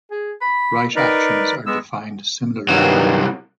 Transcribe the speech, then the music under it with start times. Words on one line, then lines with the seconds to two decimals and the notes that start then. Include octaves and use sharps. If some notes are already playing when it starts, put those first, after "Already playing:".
Right actions are defined similarly.
0.11 G#4
0.41 B5
0.96 D#4 A#4 B4 D5
1.66 G#3 B3 E6
2.69 C2 G2 D#3 F#3 B4